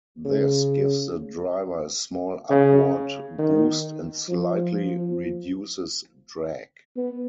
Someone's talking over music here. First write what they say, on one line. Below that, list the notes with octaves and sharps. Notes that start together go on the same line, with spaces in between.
This gives the driver a small upward boost and slightly reduces drag.
C#3
C#3
D#3
F3
B3